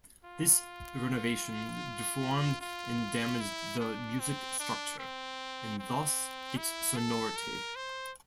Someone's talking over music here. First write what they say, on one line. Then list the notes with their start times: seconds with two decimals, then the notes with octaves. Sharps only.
This renovation deformed and damaged the music structure and thus, its sonority.
0.24 F4
2.61 F4
3.40 E4
3.80 D4
4.20 C4
4.60 D4
4.99 C4
5.79 C4
6.57 E4
6.97 A4
7.36 A#4
7.76 C5